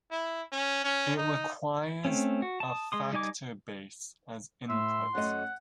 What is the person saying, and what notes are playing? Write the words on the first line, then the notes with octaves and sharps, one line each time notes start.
It requires a "factor base" as input.
E4
C#4
C#4
D#4
A3 C4 C#4
F#4
A5 D#6
G#3 C6 D#6
G3 D#4 D#5 G#5 D6
A2 E5 C6
F#2 A3 D#5 F#5